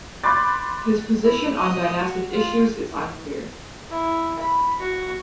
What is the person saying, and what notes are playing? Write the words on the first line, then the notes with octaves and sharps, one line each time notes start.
His position on dynastic issues is unclear.
B5 C6 D6 F#6 G6 A6
E4
D#5 D#6
F#4
F4
E4
B5
F#4